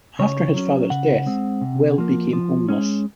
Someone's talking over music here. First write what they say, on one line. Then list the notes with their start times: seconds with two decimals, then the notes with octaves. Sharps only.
After his father's death, Weil became homeless.
0.19 C#3 C#5
0.54 F#3 C#4
0.90 C#3 F#5
1.26 G#3 C4
1.61 C3
1.98 F3 A#3
2.33 F3
2.69 G#3 C#4